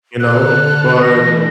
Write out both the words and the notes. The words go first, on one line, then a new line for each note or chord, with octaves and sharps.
you know? But,
D3 A4 F6 F#6
E3 A3 D4 A#6